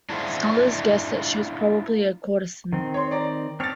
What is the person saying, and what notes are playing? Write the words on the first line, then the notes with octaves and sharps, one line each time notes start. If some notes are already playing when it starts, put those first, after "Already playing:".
Scholars guess that she was probably a courtesan.
D4 E4 F4 G#4 C5 E5
D#3 C4
C#5 C6
D5 A#5
C4 D4 C#5 F6 A6